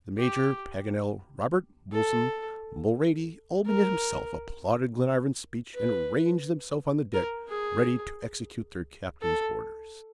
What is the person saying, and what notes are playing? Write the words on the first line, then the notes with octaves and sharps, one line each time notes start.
The Major, Paganel, Robert, Wilson, Mulrady, Olbinett himself, applauded Glenarvan's speech, and ranged themselves on the deck, ready to execute their captain's orders.
G4
A4
A#4
B4
A#4
G#4
A4